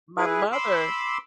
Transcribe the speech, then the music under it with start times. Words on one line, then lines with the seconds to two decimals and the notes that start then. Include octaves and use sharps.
My mother,
0.18 E4 G#4 B4
0.52 B5 C6 D6 E6